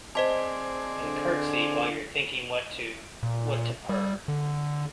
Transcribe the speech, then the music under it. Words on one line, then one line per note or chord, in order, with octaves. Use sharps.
And curtsey while you’re thinking what to—what to purr.
C4 G#4 C5 D5 D#5 A5
D3
A#2
G3
D3